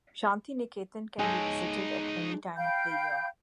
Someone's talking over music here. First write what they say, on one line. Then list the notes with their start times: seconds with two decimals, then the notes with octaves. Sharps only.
Santiniketan can be visited at any time of the year.
1.19 G#3 D#4 A4 C#5
2.57 F5 G5 B5 G6